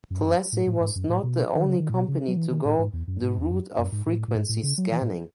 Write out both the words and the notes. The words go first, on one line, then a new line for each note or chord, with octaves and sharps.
Plessey was not the only company to go the route of frequency scanning.
F#2
G#2
F#2
A2
A2
G#2
F#2
A2
B2
D#3
C#3
D#3
A2
B2
C#3
F#3
E3
D#3
A2
G#2
E2
F#2
G#2
E2
F#2
F#2
G#2
A2
A2
G#2
A2
C#3
F#3
E3
A2